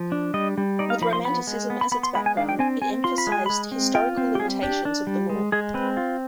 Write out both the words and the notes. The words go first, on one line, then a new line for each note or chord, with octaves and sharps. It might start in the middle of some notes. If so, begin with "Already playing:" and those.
With Romanticism as its background, it emphasized the historical limitations of the law.
Already playing: F3
D4
G3 D#5
G3
D#4 D5
F5
F3 B5
C6
B3 B5
G#3
B3
B5
B3 B5
C6
G#3 B5
G#5
D4 F5
G5
C4 G#5
C4 G#5
F4 C6
B5
G#3
G#5
G#3 B5
C4
F4 G5
C4
G4
G3 G#4
D4 G4
D4
G3
G#3
G#3 G#4
C4 B4
F4